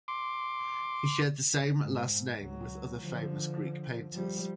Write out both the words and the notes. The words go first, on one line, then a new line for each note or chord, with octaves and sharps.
He shared the same last name with other famous Greek painters.
C6 D6
G#2
C#2 F#3
D3 F3
F3 G3